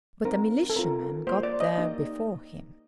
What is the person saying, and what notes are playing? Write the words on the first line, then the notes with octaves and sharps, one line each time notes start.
But a militiaman got there before him.
G3 C4 D#4 A#4
A4
C4 F4 A#4
A#3 F4 C5
D5
D#5
A#3 D#4 G4